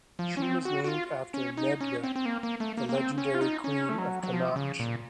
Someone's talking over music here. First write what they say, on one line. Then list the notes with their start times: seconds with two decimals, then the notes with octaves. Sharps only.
She was named after Medb, the legendary queen of Connacht.
0.19 F3
0.37 C#4
0.42 C4
0.65 F#4
0.84 F#4
0.88 F4
1.34 C#4
1.57 D#4
1.81 C#4
2.04 C4
2.16 C4
2.26 A#3
2.43 A#3
2.60 A3
2.77 A#3
2.89 A#3
2.95 C4
3.18 C#4
3.34 F4
3.41 D#4
3.64 C#4
3.89 A3
3.98 F#3
4.23 F#3
4.33 F3
4.56 C#3
4.79 A#2